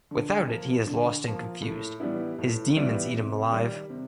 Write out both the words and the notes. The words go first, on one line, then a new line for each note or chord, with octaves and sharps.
Without it, he is lost and confused; his demons eat him alive.
D3
F3 A#3
D3
F3 A#3
A2
E3 G3 B3 E4
A2
E3 G3 B3 E4
C3
D#3 G3
C3